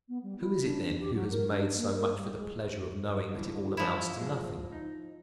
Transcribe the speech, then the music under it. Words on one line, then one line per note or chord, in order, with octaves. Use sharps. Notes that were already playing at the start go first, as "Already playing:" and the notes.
Who is it then who has made so much for the pleasure of knowing that it all amounts to nothing!
B3
G3
E4
D4
G4
F#3
A#4
D4
A#3
A#4
G3
G#3
G2 D3 E3
F3 E4
G#2 F#3 G#3
D#4